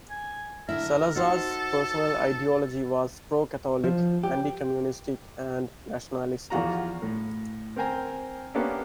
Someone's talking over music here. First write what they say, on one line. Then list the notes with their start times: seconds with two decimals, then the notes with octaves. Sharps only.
Salazar's personal ideology was pro-Catholic, anti-communist and nationalistic.
0.10 G#5
0.69 D3 E4 A#4 E5
1.16 D#4 F#4 A4 C5
3.84 F3
4.24 G4
6.50 E2 E3 F3 F4 F#4 A#5
7.02 A2
7.76 C4 A#4 C5 G5 G#5 A#5
8.54 A#3 B3 C#4 D4 G4 A4